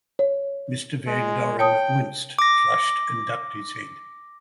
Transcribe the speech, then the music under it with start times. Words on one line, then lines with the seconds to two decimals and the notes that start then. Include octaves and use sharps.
Mr. Van Doren winced, flushed, and ducked his head.
0.19 C#5
1.07 G#3
1.59 C#5 G5 A5 D#6
2.39 D6 A#6